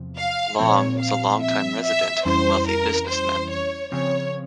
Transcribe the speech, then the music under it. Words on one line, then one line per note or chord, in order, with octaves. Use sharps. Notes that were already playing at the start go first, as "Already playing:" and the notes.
Long was a longtime resident and wealthy businessman.
Already playing: E2 C3 F3
F5
A#2 F3 C4 C#5
F5
E5
E5
F2 E3 G3 C#4 E4 C5
A#4
C5
C#5
C#3 F3 C4 C#5